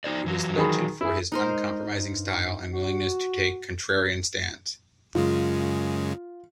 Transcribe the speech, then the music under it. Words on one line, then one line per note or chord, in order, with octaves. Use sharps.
He was noted for his uncompromising style and willingness to take contrarian stands.
D#4 C5 D5
E3 F#3
D#3 G#4 B5
E4 G#4
G#3 D#4 A#4 C5
G2
F#4
F#2 C#3 G#3 F4